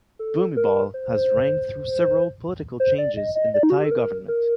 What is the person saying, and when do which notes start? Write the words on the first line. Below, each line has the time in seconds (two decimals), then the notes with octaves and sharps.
Bhumibol has reigned through several political changes in the Thai government.
0.19 A4
0.57 A#4
0.94 C5
2.80 C5
2.98 D5
3.17 D#5
3.35 D#5
3.54 D5
3.63 D#4
3.70 F#4
3.77 G4
3.84 A4
3.91 A#4
4.28 A#4